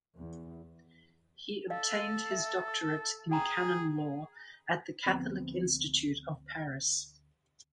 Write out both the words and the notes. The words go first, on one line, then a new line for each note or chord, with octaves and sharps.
He obtained his doctorate in canon law at the Catholic Institute of Paris.
E2
A4 D5 F5
E5
G#4 G5 G#5 A#5
D2 F3 B3 C4